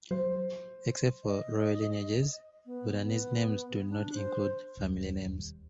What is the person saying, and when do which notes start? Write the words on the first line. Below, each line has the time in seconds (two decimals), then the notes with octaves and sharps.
Except for royal lineages, Bhutanese names do not include a family name.
0.11 F#3 C5
1.24 D#5
2.65 B3
3.04 B3
3.89 D4
4.14 C5
4.77 E1 D#2 G3